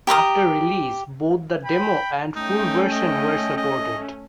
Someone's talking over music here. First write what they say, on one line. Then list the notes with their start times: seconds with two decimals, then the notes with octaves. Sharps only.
After release both the demo and full version were supported.
0.07 G4 A#5 C6 D#6
1.65 G5 B5
2.36 A3 C#4 D#4 G5
2.91 D#5
3.57 D#5